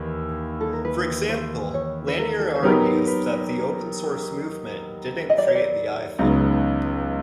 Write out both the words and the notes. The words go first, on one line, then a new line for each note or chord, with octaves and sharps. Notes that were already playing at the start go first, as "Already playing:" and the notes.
For example, Lanier argues that the open source movement didn't create the iPhone.
Already playing: D#2 E3
A4
A#4
B4
C5
C#5
B4
A#4
A4
C5
F#3 B3 D#4 G4 A#4 B4
B4
D#5
D5
C#5
D5
C#2 C#3 F#3 B3 D#4